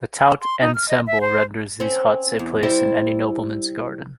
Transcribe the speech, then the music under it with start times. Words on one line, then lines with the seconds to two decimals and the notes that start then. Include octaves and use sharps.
The 'tout ensemble' renders these huts a place in any nobleman's garden.
0.42 C6
0.62 D#4
0.75 F6
0.89 D#5
1.07 E5
1.21 C5
1.80 C4 C#4
2.39 E2
2.63 G3 E4 C5